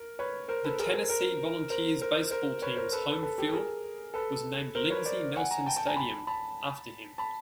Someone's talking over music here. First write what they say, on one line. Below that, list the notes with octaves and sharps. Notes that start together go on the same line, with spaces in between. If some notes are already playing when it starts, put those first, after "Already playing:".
The Tennessee Volunteers baseball team's home field was named Lindsey Nelson Stadium after him.
Already playing: A#4
B4 C#5
A#4 C5
A4 B4
G#4 A#4
A#4 C5
A#4 C5
A#4 C5
A#4 C5
A#4 C5
B4 C#5
A#4 C5
A4 B4
A4 B4
A4 B4
G4 A4
G#4 A#4
A4 B4
A#4 C5
B4 C#5
C5 D5
F#5 G#5
G#5 A#5
G5 A5
G5 A5
G#5 A#5
A5 B5
A5 B5
A5 B5